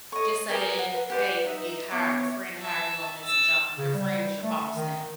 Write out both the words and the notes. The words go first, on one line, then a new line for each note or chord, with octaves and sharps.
just say, "Hey. You get hired. Your friend hire you on as a job. Your friend is your boss now,"
A4 C#5 D#5 C#6
G4 G#4 A#4 B4 D#6
A#4 F#5
G4 C5 D5 F#5
D#4 E5
B3 C#5 E5 D6
E5 A5
E6 A6
C#3
G3
A3
D#3